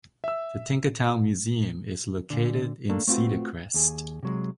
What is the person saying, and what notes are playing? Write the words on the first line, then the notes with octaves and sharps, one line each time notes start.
The Tinkertown Museum is located in Cedar Crest.
E5 E6
A#2 D3
A3 A#3 D4 A4
A3 C4 F4 F#4 B4
D#2 G#4
C3 F#3 G#3